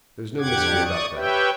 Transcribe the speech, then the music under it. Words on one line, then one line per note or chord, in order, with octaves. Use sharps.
There is no mystery about that.
F2 D3 G4 F#5 D6 G#6
D5 C#6 D#6
G4 B4 C#5 E5 G5